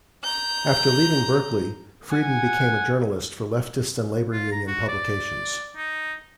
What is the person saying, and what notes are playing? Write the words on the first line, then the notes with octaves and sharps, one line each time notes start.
After leaving Berkeley, Friedan became a journalist for leftist and labor union publications.
A#5 G6
F#5 G#5
F4
A#5
F#4
D5
D#4